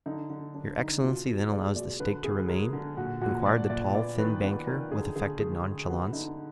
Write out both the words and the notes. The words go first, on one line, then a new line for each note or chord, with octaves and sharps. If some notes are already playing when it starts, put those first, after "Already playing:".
"Your excellency then allows the stake to remain?" inquired the tall, thin banker, with affected nonchalance.
D3 D#4
D3
D3 D4
D3 D#4
B2 F4
B2
G#3 D5
B2 D5
D3 B4
B3 G#4
G#3 A#4
D3
A#2 F#4
A#2 F#4
A#2 D5
A#2 D5
B3 D5
D#3 B4
B3 B4
D#3 A#4
D3 G#4
D3 G#4
G#3 G#4
D3
B3 F#4
D3 D#4